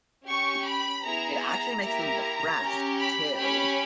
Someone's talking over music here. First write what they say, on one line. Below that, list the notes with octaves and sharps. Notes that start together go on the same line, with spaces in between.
It actually makes them depressed too.
C#4 G4 C#6
B5
B3 E4 G#4 A#5
A#5
A#3 E4 G4 A#5
C#4 G4
B5
C#4 G4 B5